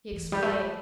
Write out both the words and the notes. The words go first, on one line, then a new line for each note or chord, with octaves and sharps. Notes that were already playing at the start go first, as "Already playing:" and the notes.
He explained.
E3
G3
A3
G3